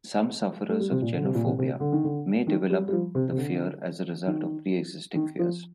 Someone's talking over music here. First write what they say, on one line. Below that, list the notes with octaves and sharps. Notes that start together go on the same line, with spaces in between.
Some sufferers of genophobia may develop the fear as a result of preexisting fears.
A3
G3
C3
A#2
D3
C3
A#2
C3
C3
D3
D#3
D3
D#3
G3
G3
F3
C3
C3
D3
D#3
D#3
F3